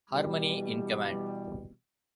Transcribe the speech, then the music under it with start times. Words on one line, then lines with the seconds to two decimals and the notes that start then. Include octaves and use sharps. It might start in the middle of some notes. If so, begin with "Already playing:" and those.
Harmony in command.
0.11 B2 E3 G3